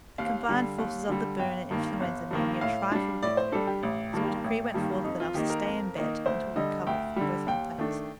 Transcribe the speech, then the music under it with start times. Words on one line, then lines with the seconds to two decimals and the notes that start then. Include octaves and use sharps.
The combined forces of the burn and influenza made me a trifle dicky, so a decree went forth that I was to stay in bed until recovered from both complaints.
0.18 D#2 F5
0.49 D3 G3
0.79 D#2
1.09 D3 G3
1.39 G1 G5
1.71 G2 D#3 A#3
2.00 G1
2.31 G2 D#3 A#3
2.61 A2 F5
2.92 G3 D4
3.23 A2 D5
3.37 C5
3.52 G3 D4 A4
3.67 G4
3.83 A1
4.13 G2 D#3 G3 A#3
4.44 A1
4.74 G2 D#3 G3 A#3
5.04 F2 D#4
5.20 F4
5.34 D#3 A#3 D#4 G4
5.50 A#4
5.65 F2
5.95 D#3 A#3 D#4
6.26 D2 C5
6.56 D3 G3 D#5
6.87 D2 G5
7.16 D3 G3
7.47 D#2 G5
7.78 D#3 A3 D4